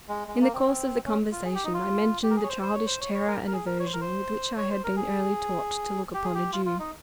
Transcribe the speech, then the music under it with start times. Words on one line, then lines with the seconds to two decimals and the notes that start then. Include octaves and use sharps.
In the course of the conversation I mentioned the childish terror and aversion with which I had been early taught to look upon a Jew.
0.09 G#3
0.28 G#3
0.41 A#3
0.53 C4
1.06 C#4
1.32 F4
1.45 G#4
1.55 G4
1.64 D#4
1.74 F4
2.23 G4
2.30 A#4
2.36 G#4
2.44 C#5
2.49 C5
2.62 C5
2.74 C#5
2.86 C5
3.01 C#5
3.14 C#5
3.27 A#4
3.47 A#4
3.53 G#4
3.66 A#4
3.80 C#5
3.86 C5
3.93 A#4
4.01 C5
4.57 C#5
4.71 C5
4.84 A#4
4.96 G#4
6.14 G4
6.24 G#4
6.34 G4
6.53 F4
6.66 F4
6.79 D#4